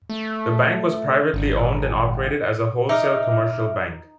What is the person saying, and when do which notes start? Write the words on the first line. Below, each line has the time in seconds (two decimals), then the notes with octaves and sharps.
The bank was privately owned and operated as a wholesale commercial bank.
0.10 A3
1.34 G#1
2.89 D#4 E5 D6 F6